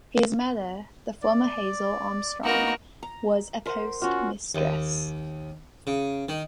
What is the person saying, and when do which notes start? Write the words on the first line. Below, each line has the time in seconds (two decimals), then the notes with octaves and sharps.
His mother, the former Hazel Armstrong, was a postmistress.
1.22 D5
2.43 A#3 B3 D#4 F#4 A#4
3.03 A#5
3.66 A#4 C5 F#5
4.02 C#4 F4 F#4
4.55 D#2
5.87 C#3
6.29 D#3